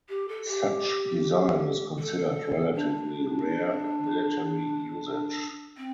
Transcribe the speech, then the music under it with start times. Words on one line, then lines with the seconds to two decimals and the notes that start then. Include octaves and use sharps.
Such design is considered relatively rare in military usage.
0.09 G4
0.29 A4
0.47 G4
1.99 A4
2.75 D4
5.78 C4